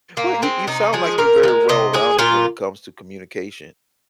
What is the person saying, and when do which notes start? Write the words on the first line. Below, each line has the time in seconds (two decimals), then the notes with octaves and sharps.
Well, you you sound like you very well-rounded when it comes to communication.
0.17 A#2 A#3
0.42 G#3 C4
0.67 C3 D#4
0.93 F3 G#3 G#4
1.18 A#2 A#4
1.43 F3
1.48 G#3
1.69 C3 D#5
1.93 G#3 G#4
2.19 A#2 F4